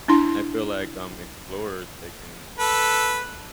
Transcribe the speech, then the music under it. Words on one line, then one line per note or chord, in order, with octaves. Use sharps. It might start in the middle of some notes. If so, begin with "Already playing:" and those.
I feel like, um, explorers, they can
D4 E4 C6
A4 B4